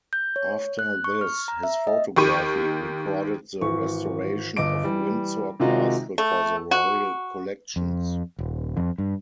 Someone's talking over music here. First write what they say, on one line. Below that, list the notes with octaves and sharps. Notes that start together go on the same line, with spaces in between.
After this, his photography recorded the restoration of Windsor Castle for the Royal Collections.
G6
C#5
F#6
C#6
F6
A#5
E5
D#5
D#2 D#3 G4 C#6 D#7
G#1 E3 C#6
G1 D#5 D6 D7
E3 G3
C3 D#3 G#3 D#4 F4 F#4
A3
F#4
F2
D#1
F2
G2